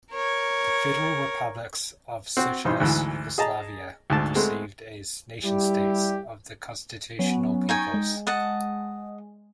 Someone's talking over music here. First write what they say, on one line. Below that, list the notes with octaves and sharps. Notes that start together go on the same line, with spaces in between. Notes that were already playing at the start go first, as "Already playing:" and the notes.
The federal republics of Socialist Yugoslavia were perceived as nation-states of the constitutional peoples.
A#4 C#5
C4 F#4
B1 G2 E3 D#4 C5
D2 G#2 E3
G#4 D#5 A5 A#5
D2 G#2 A5
G#3 A3 B3 C4
G3 E4 G4
F#3 B3 C#4
D#4 G5 G#5 C#6 G#6 A6
G#3
D#5 F#5 A5